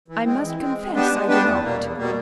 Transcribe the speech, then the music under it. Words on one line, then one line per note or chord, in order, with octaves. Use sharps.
"I must confess I do not."
E3
G#3 C4
E3
G#3 C4
G#3
B3 D4 G4 B4
G#3
B3 D4 G4 B4
E2
B2 G3 A#3
E2
B2 G3 A#3